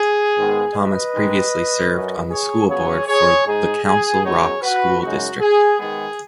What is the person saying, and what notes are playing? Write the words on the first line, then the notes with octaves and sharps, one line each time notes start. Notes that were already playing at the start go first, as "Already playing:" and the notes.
Thomas previously served on the school board for the Council Rock School District.
Already playing: G#4
G#2 D#3 G#3 B3
B4 D#5
D#3 G#3 D#4
F#2 F#3 C#4
G#4 C#5
C#3 F#3 B3 G#4 C#5
G#4 C#5
G#2 G#3 D#4 G#4
G#4
F#2 F#3 B3 D#4 G#4 C#5
F#4 B4
F#2 C#3 G#3 D#4 F#4
G#4
D#3 G#3 B3 G#4